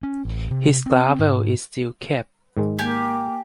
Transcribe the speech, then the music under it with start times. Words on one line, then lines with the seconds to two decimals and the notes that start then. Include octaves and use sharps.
His gavel is still kept.
0.03 C#4
0.25 A1
0.51 C3
0.86 C4
1.19 G#2
2.57 G#2 D#3 G#3
2.79 A#3 G4 G#5